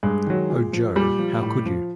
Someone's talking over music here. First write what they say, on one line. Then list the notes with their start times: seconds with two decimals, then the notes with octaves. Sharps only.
O Jo, how could you?
0.03 G2 G#3
0.26 D#3 F#3
0.50 A#2
0.73 F3
0.96 A#2 G3
1.19 F3
1.42 A2
1.66 F3